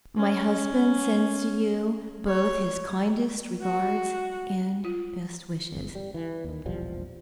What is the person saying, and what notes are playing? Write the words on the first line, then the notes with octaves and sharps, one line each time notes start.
My husband sends to you both his kindest regards and best wishes.
C#4
C#5
F#4
F4
G1
G3
E3
D#2 D#3
E1 A#1 F3 G3